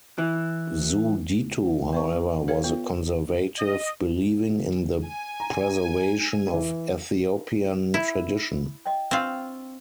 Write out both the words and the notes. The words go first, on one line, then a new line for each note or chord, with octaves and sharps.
Zewditu, however, was a conservative, believing in the preservation of Ethiopian tradition.
E3
B3 B4 C#6
A4 B4 C#5 F5
B3 F4
D#5
G#5
A#5
E3
E4
D#5 G5
C4 D4 F4 C#6 E6